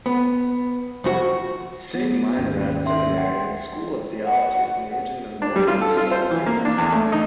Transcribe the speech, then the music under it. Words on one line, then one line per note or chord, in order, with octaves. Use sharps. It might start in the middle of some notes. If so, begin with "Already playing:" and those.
Saint Meinrad Seminary and School of Theology is named in memoriam of Saint Meinrad.
B3
C2 F2 F#4
B3
G#1 D#2 A#3 C#4
C#4 E5 C6
F#5 G5
F#5
D4
G3
F4
A4
F4
C5
E3
A#3
D4
E2
A3
D#4